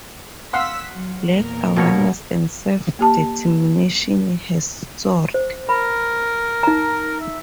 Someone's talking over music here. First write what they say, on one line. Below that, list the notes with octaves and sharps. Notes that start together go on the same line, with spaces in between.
Black awareness and self-determination has soared.
F5 F#5 C6 E6 B6
F#3
E2 A#2 A#4
B2 A3 A#3 C#5
A#3 G4 A5
C5
A#4 B5
D#4 A#5
E5